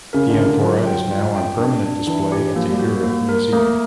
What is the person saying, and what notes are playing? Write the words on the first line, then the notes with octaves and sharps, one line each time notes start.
The amphora is now on permanent display at the Ure Museum.
C#3 A#4
D3
A#4
D3
F#3 F4
G5
F4
G5
D4
D4
E3 D4
G4
F3 A#3
G3
F#4
A#3
A#4
A3 A#3